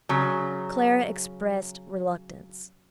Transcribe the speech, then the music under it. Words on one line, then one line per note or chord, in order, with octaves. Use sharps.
Clara expressed reluctance.
C#3 F#3